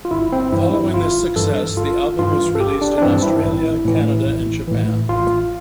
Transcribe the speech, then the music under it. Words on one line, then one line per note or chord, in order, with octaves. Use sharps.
Following this success the album was released in Australia, Canada and Japan.
F4
G1 E4
C4
G2 E3 E4
E4
G1 F4
G2 E3 A4
G1 F4
G2 E3 F4
A4
G1 G4
D4
D4
G2 E3 C4
E4
A1
A2 E3
A1
A2 E3
A1 F4